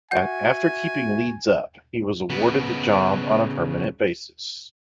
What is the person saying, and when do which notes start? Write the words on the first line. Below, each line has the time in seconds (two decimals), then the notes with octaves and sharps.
After keeping Leeds up, he was awarded the job on a permanent basis.
0.11 F#4 E5 F#5 G#5 G6
2.30 C#3 B3